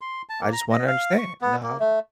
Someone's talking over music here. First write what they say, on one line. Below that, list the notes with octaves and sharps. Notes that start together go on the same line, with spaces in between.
I just wanna understand, you know, how
C6
A5
A#3
A#5
D#5
F5
C#6
B3
A#3
A3